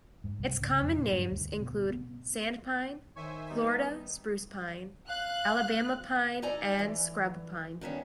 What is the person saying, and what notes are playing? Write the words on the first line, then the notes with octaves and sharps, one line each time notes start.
Its common names include sand pine, Florida spruce pine, Alabama pine, and scrub pine.
G#2
C2
C#3
F2
A#2
G2
D2
B2
B3
D#3 C5 C#5 E5 G#5
G3 B3 D#4
F5 F#6
D#4 A4 D5 G#5 A#5
E3
G2 D#3 B3 C#4